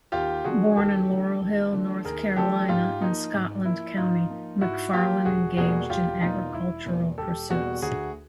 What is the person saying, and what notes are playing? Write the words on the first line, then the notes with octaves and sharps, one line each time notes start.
Born in Laurel Hill, North Carolina in Scotland County, McFarlan engaged in agricultural pursuits.
D#2 F4 G4
D3 F3 A3 D4 F#4 G#4
D#2 G4 A4
D3 F3 A3 D4
D#2
D3 F3 A3 D4
D#2 G#4 A#4
D3 F3 A3 D4 G4 A4
G#2 F4 G4
F3 A#3 D#4
G#2
F3 A#3 E4
G#2 D#4 F4
F3 A#3
G#2 E4 F#4
F3 A#3 F4 G4
E1 F#4 G#4
E2 B2 G3 A#3 F#4 G#4
E1 F4 G4
E2 B2 G3 A#3 D#4 F4
E1 E4
E2 B2 G3 A#3
E1 G4 A4
E2 B2 G3 A#3 F#4 G#4
D2 F#4 G#4